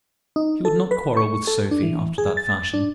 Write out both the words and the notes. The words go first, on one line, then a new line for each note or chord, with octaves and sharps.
She would not quarrel with Sophie after that fashion.
D#4
A4
B4
C#6
A4
D4
E3
G#4
A6
D4